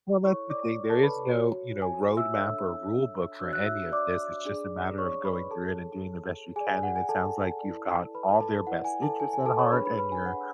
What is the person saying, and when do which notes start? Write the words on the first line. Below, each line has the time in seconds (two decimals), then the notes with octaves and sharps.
Well, that's the thing, there is no, you know, road map or rule book for any of this, it's just a matter of going through it and doing the best you can, and it sounds like you've got all their best interests at heart and you're
0.24 E4 A4 C#5 C#6
0.50 D5 D6
0.90 A4 A5
1.03 B4 B5
1.29 F#4 C#5
1.82 G#5
2.17 E5 E6
2.34 D4 A4 C#5 E5 E6
3.40 D4 F#4 C#5 E6
3.53 F#6
3.66 E5 E6
3.92 D5 D6
4.45 D4 G#4 D5
4.98 C#5 C#6
5.25 B4 B5
5.51 G#4 A4 C#5 A5
6.56 G#4 G#5
6.60 D5
6.69 G#5
6.83 F#5
6.96 G#5
7.09 A4 A5
7.61 E4 B4 D5
8.15 B4 B5
8.41 A4 A5
8.67 E4 B4 D5 F#5
8.85 G#5
9.02 A4 A5
9.20 G#5
9.33 G#5
9.46 A4 A5
9.59 C#5 C#6
9.72 D4 G#4 B4 C#5 B5
9.85 B4 B5
9.98 B4 B5
10.12 G#5
10.26 F#5